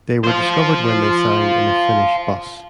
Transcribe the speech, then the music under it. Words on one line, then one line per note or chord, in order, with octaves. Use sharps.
They were discovered when they sang in a Finnish bus.
F4 C5